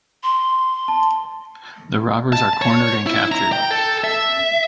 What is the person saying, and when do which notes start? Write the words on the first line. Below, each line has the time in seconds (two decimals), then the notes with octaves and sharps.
The robbers are cornered and captured.
0.23 C6
0.88 A5
2.33 A5
2.62 C#5
3.06 E4
3.32 A#5
3.53 G5
3.71 A4
4.04 E5